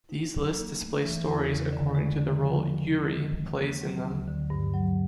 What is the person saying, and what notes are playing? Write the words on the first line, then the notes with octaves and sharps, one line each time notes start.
These lists display stories according to the role "yuri" plays in them.
D#4
F#3
A#3
A3
E3
E2
C#3
D3
G#3
D3
F3
D#3
C4
D#3
G#3
A#3
F#3
D2
D3
G2
F#3